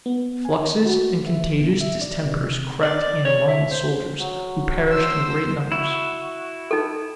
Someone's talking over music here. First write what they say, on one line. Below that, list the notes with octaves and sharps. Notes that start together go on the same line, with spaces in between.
Fluxes and contagious distempers crept in among the soldiers, who perished in great numbers.
B3
G#5
F#4
E5
B2
E5
D5
C3
D5
C#5
E4
C5
F#3
C5 E6
E4 F#4
D#4 A4